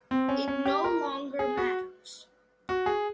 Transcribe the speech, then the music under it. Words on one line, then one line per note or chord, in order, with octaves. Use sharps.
It no longer matters.
C4
C#4
C#4
G4
A#4
G#4
F#4
F#4
G#4